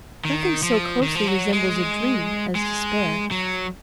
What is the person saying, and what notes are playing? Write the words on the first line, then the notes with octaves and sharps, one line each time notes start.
Nothing so closely resembles a dream as despair.
D#3
F3
D#3
F3
F#3
G#3
G#3
F#3